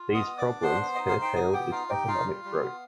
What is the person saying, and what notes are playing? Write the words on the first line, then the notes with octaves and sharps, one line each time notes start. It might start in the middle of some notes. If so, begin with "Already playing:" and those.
These problems curtailed its economic growth.
Already playing: F4
B3
D#5 D#6
B3
D5 D6
D4
B3 C5 C6
B3
D#4 D#5
F5
D#4
G5
B3 G#4 G#5
B3 G4 G5
D#4 F4 F5
D#4 G4 G5
D#4 F4 F5
G3
G3
B3